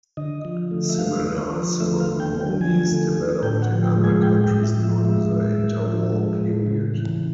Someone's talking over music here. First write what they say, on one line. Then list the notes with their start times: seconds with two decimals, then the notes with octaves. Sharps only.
Similar ceremonies developed in other countries during the inter-war period.
0.17 D3 D#5
0.45 F3
0.71 A3
0.89 E5
0.98 D3 F5
1.26 D3
1.53 F3
1.80 A3 E5
2.00 F5
2.06 D3
2.20 G5
2.34 D3
2.41 G5
2.61 F3 G#5
2.88 A3
3.15 D3
3.43 A2 G5
3.62 F#5
3.70 F3
3.83 G5
3.96 G#3
4.04 G#5
4.23 A2 G5
4.44 G5
4.51 A2
4.63 E5
4.77 F3
4.84 E5
5.05 G#3 E5
5.31 A2
5.59 A2
5.86 F3
6.13 G#3
6.41 A2
6.66 C#3
6.94 E3